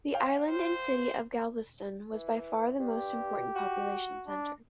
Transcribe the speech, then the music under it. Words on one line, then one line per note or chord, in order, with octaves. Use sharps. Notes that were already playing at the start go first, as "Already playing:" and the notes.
The island and city of Galveston was by far the most important population center.
C#5 F5 G5
C5
E3
G2 G4
F#4
D4